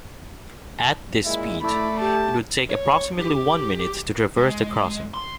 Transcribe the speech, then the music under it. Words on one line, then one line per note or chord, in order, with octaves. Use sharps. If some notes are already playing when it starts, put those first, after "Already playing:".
At this speed, it would take approximately one minute to traverse the crossing.
A#2 G#3 E4
A3 E4 D5 B5
G4 A5
C#5
G4
G#3
C6